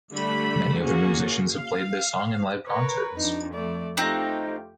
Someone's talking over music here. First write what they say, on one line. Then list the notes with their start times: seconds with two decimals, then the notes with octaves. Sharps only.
Many other musicians have played this song in live concerts.
0.14 D3 G3 A3 D4 B5
0.84 A#3 C#4 F#4 G#4
1.54 F5
2.68 A#4 B4 C#5
3.16 F2 D4 D#4
3.54 A3 D5
3.97 A3 C4 D#4 F4 G4 F#6